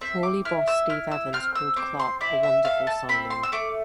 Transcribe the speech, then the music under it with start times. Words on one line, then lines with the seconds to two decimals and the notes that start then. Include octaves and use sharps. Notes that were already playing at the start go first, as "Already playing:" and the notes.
Crawley boss Steve Evans called Clarke a wonderful signing.
0.01 C4 E5
0.23 D6
0.45 E4 F6
0.68 E6
0.89 E4 F6
1.11 E6
1.33 C4 F6
1.55 E6
1.76 C4 D6
2.00 C6
2.21 E4 D5
2.43 E5
2.64 A4 F5
2.87 A5
3.09 C4 B5
3.30 C6
3.43 E6
3.52 A3 D6